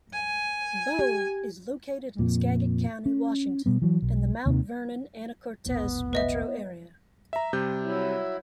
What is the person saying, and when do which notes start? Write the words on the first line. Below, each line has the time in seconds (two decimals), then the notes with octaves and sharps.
Bow is located in Skagit County, Washington, in the Mount Vernon-Anacortes metro area.
0.13 G#5
0.99 G4
2.19 F2 A#2
3.06 C#4
3.66 B2 G3 B3
3.82 E3 F#3
4.02 B1
4.46 D#2 C3 D#3
5.66 E1 A#1 A2 B3
6.13 B4 D#5 E5
7.33 E5 A#5
7.53 C3 G3 G6
7.83 F#3 E4